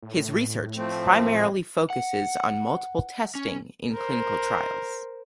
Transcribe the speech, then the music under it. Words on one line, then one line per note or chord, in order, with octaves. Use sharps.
His research primarily focuses on multiple testing in clinical trials.
A2
F3 A3 C4
F#5
C#4
A#4 C5